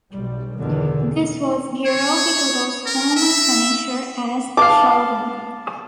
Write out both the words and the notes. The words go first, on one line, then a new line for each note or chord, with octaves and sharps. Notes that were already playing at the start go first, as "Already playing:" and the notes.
This was Hirooki Goto's former finisher as "Shouten".
B1 G3
E2 B2 D3 D#3
C#5
A#4
E5
F5 A5 D6